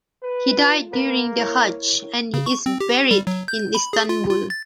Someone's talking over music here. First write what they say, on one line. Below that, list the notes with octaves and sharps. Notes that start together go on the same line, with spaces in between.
He died during the "hajj" and is buried in Istanbul.
B4
F4
A#3 A#4 B4 B5
E4 A#4 C#5
C#3
C#6
C4
G4
G3
F#3
G6
B5
G#4
F4
F4
A6